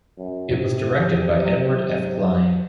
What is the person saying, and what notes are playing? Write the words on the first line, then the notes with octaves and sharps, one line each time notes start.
It was directed by Edward F. Cline.
F#2
G#2 C3
F3
F#3